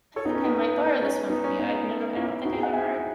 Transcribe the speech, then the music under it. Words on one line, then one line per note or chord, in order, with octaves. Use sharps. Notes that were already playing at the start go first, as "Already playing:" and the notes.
I think I might borrow this one from you. I've never I don't think I've ever heard
A4 C#5
B3 D#4
C#4
B3 D#4
C#4
B3 D#4
C#4
B3 D#4
C#4 E4
D#4 F#4
E4 G#4
D#5 F#5
E5 G#5